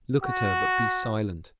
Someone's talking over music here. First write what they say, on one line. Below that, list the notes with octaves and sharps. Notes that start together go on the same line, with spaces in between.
Look at her, but be silent.
F#4